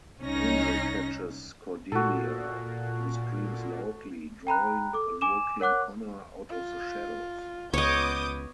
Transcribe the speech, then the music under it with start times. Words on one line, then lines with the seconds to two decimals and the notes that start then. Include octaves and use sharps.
Angel catches Cordelia, who screams loudly, drawing a lurking Connor out of the shadows.
0.23 C2 C#4 D#4 A#6
1.92 A#2 F#4 A4
4.47 G5 A#5 B5 F#6
4.93 A4 D6
5.21 G#5 D6 E7
5.60 A#4 C#5 F#5 D6 F#6
6.50 F4
7.74 C#2 B3 C#5 D#5 D6 D#6 G6